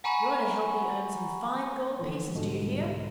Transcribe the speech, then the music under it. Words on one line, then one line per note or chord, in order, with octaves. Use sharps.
You are to help me earn some fine gold pieces, do you hear?
F#5 G#5 A#5 B5 C#6
D3 E3 F3
C2 G#2 B2 D3 G#3